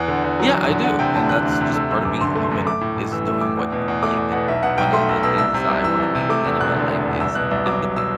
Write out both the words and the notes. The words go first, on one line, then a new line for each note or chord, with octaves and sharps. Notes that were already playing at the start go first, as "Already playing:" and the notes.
Yeah, I do, and that's just part of being human is knowing what you like and one of the things that I wanna maintain in my life is empathy.
Already playing: E2 F#5
D3
E2
F#3
E2
D3
D2 F#5
C3 G5
D2 A5
E3 F#6
D2
F#6
C3
A3 E6
F#2 E6
G1 D6
D3 C6
A3
C6
F#2
A3 D6
A2
A1
E3 E6
A3 E6
A2 D6
E2
B2
E2
A3 D6
E2
B2 F#5
B1 E5
B2 F#5
B1 G5
A3 C6
B1 E6
B2 E6
C2 E6
C3
C2
E3 E6
C2
C3
A3 D6
E2 E6
E1 F#6
D3
A3
E2
C2 E6
B2 F#6
C2 E6
F#3 D6
C2
B2 E6